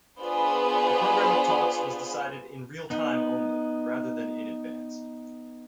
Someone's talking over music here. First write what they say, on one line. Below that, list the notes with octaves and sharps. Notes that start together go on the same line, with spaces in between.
The programme of talks was decided 'in real time' only, rather than in advance.
B3 D4 F4 G#4 B4 C5
B3 D#4